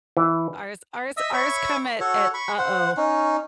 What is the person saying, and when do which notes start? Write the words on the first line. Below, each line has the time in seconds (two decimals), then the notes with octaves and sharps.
Ours ours ours come at at, "Uh-oh."
0.17 E3
1.17 D#5 E5 E6
1.34 C#5 E5 B5 C#6
2.00 F#4 A4 C#5
2.34 B5 C#6
2.58 C5 F#5
2.97 C#4 D#4